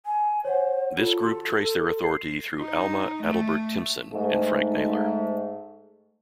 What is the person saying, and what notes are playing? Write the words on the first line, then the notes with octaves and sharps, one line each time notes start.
This group trace their authority through Alma Adelbert Timpson and Frank Naylor.
G#5
C5 C#5 F#5
F4 A4
F#4 C6
C7
D#4
A3
G#2 A3